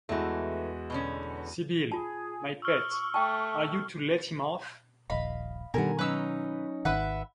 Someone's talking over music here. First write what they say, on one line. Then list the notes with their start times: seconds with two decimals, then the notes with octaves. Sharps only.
Sybil, my pet, are you to let him off?
0.09 E2 E3 G#3 A3 F#4
0.90 B2 D3 C#4
1.92 F4 G#4 A5
2.62 C#6 E6 F6
3.14 A3 G5 A5
5.10 D#1 A#1 D#5 F5 B5
5.74 B2 D3 D#3 G3 A#4 F#5 G#5
5.99 F#3 C#4 D#4 B4 E6
6.85 G#1 D#3 B4 E5 F#5